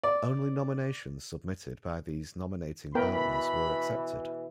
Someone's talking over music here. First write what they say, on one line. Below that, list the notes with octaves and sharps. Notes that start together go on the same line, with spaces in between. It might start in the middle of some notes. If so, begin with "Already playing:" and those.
Only nominations submitted by these nominating partners were accepted.
D5
B2 E3 B3 A#4 G5 B5